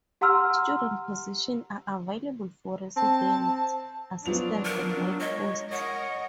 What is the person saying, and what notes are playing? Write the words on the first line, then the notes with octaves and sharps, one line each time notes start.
Student positions are available for Resident Assistants and Night Hosts.
G4 F#5 A#5 C6 E6 F6
C4 A5
F3 F#3 B3 D4 F4 F7
A#4
G#3 C#5 D#5
A#4 C#5 D#5 F#5